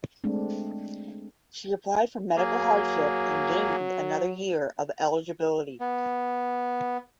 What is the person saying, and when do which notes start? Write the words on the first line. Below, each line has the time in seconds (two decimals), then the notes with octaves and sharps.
She applied for medical hardship and gained another year of eligibility.
0.24 G#3 A3 C4 D4
2.37 F#3 A#3 G#4
5.80 B3